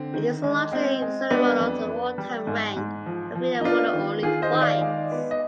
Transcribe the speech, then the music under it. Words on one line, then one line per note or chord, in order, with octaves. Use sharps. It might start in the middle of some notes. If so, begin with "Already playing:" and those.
It is a largely ceremonial or wartime rank, having been awarded only twice.
Already playing: D3 C4
D#3
G#3
G#3 C4
G#3
G3 B3 D4
F2
B3
G3
G#2
G#2
F3
F3
D#4
B3 D4 F4
D#3
D#3 F4 G#4
C5 D#5
D#3
D5 F5
G#3
B3
D#5